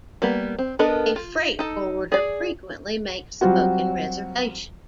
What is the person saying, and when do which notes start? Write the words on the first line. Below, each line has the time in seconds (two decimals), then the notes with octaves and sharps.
A freight forwarder frequently makes the booking reservation.
0.22 G3 A#3 B3
0.59 C4
0.79 B3 D4 A4 A#4 D#5
1.16 F4
1.59 D#4 A4
2.12 G#4 D5
3.41 F#3 G3 C4 F4 F#4